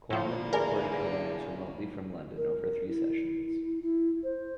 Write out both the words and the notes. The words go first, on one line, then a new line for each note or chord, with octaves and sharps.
Colman recorded her lines remotely from London over three sessions.
A2 D3 F3 G3 A#3
E2 G#4 A#4 D5 G#5
A#4
E4
E4
C5